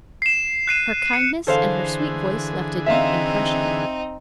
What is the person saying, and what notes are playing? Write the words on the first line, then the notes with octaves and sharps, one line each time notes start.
Her kindness and her sweet voice left a deep impression.
C7 E7
F#6 C7 D#7 E7
C7 C#7
D3 E3 G#4 A4 C5 F5
C4 D#4 E5 F5 C6